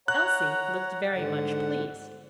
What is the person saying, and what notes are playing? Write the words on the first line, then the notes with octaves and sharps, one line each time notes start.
Elsie looked very much pleased.
C#5 F#5 A#5 F#6
G#2 D3 F#5